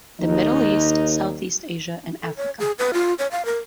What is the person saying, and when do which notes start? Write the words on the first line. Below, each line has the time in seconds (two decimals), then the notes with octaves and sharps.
The Middle East, Southeast Asia and Africa.
0.21 D#2 D#4
2.23 A4
2.37 C#5
2.59 G#4
2.79 B4
2.94 F4
3.19 C#5
3.32 F5
3.45 A#4